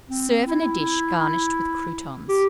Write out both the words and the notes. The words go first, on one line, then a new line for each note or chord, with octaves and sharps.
Serve in a dish garnished with croutons.
C4
E4
G4